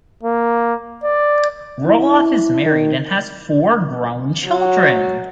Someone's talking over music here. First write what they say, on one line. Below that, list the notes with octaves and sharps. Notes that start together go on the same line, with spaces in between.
Roloff is married and has four grown children.
A#3
D5
E4
D#3
F#3